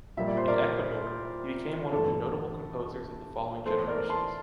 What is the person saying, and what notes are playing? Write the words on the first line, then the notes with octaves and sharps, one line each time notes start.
In Ecuador, he became one of the "notable composers of the following generations".
A#2 G3 A#3 E5
D5
C5
A#4 D5
G2 E3 A3 A4
E2 E3 A3 A4 C5
A#4 D5
A5 C6